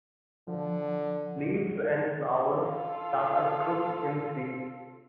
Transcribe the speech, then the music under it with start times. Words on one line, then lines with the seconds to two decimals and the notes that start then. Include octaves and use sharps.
Leaves and flowers that are grouped in threes.
0.48 D3 F3
2.52 F4 A4